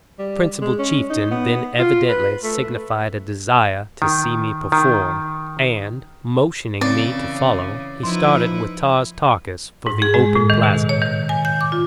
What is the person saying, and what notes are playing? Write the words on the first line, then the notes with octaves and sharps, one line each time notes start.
The principal chieftain then evidently signified a desire to see me perform, and, motioning me to follow, he started with Tars Tarkas for the open plaza.
G3
G#3
C#4
D#4
B3
F4
B4
A3
D#3
D#3
C#3 E3 C4 D5
F3 D#4 E4 B4 C6
G#2
G#4
G#3
A2
D#3
B2
C#5
D#3
G#5
G6
D6
F4